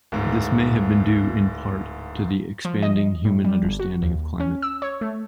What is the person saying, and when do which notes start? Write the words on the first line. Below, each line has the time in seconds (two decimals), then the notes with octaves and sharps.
This may have been due, in part, to the expanding human understanding of climate.
0.12 D1 G#2
2.65 F3
2.83 D#5
3.25 A2
3.44 G3
3.63 G1
3.80 F#4
4.02 D#2
4.40 C#4
4.62 E6
4.82 C#5
5.01 A3